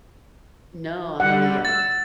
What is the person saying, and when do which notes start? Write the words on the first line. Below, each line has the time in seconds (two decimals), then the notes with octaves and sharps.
No, I'm a Leo.
1.20 D3 G3 F#5
1.65 E6 A6